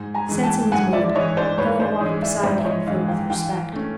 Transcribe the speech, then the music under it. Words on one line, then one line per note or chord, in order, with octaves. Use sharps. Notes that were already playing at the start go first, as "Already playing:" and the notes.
Sensing his mood, Helen walked beside him filled with respect.
Already playing: G#2
G#5 A#5
E3 G#3
G5 A5
G#2 F#5 G#5
D5 E5
D5
E3 G#3 C#5 D#5
C5 D5
G#2 B4 C#5
C5 D5
E3 G#3 C#5 D#5
D5 E5
G#2 C5 D5
E5
C#5 D#5
E3 G#3 D#5 F5
F5 G5
E3 F5 G5
A3 C#4